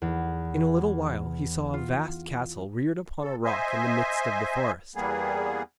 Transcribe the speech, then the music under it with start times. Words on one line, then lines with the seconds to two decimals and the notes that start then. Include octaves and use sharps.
In a little while he saw a vast castle reared upon a rock in the midst of the forest.
0.02 E2
1.74 F4
3.20 A4
3.45 C5 D#5 E5 G#5
4.96 E2 G3 A#3 B3 G#4